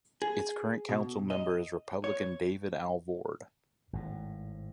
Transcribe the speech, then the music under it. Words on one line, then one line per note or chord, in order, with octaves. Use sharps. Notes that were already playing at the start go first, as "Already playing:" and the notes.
Its current councilmember is Republican David Alvord.
G#4
B2
D#5
C#5
G#1 A2